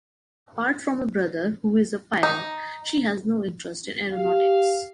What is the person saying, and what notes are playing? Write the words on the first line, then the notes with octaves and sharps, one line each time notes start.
Apart from a brother who is a pilot, she has no interest in aeronautics.
D#4
G4 F5